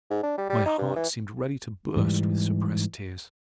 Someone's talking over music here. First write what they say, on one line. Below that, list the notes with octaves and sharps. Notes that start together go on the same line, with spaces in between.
My heart seemed ready to burst with suppressed tears.
G#2
D4
G3
G3
D#4
G2
E3
G#2 E3 G3